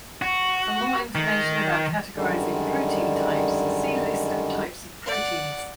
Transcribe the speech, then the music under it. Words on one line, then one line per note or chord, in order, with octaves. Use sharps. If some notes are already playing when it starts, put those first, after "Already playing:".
For more information about categorizing protein "types", see List of types of proteins.
F#4
D#3
F#2 D3 D#3 G3 G#3
D5 F#5